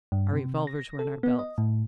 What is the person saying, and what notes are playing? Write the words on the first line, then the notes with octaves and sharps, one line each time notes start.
Our revolvers were in our belts.
G2
C3
A#6
A4
B3
D#5
A2